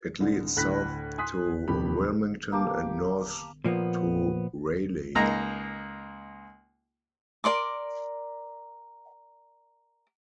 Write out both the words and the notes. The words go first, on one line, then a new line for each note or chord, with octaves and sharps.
It leads south to Wilmington and north to Raleigh.
C2 G#2 D3
D2 A2 B5 F#6 A#6 B6
G#5 C6 D#6 F#6 B6
D#1 F2 C3 G4 B5
A#3 G4 A5
A#2 F3 A#3 B3
C#2 A#3 D#4 A#5
A#4 D5 C6 D6